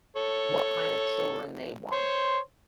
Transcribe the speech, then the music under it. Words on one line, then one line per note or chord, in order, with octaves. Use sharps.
what kind of children they wanted.
A4 C#5
C5 C#5 C6